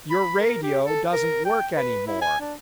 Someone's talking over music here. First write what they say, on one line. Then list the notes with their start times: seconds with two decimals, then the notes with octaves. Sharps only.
Your radio doesn't work any more.
0.10 B5
0.40 A#4
0.63 G4
0.85 A4
1.13 A#4
1.45 G5
1.77 B4
2.07 E4
2.22 G#5
2.41 D4